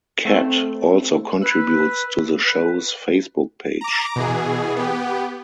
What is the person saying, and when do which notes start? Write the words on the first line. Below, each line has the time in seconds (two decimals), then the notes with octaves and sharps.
Katt also contributes to the show's Facebook page.
0.25 A3 C4 A4
1.42 B4 E6 F#6
2.45 B4
3.81 A#5 D6
4.16 B2 E3 G#4
4.76 B3 G4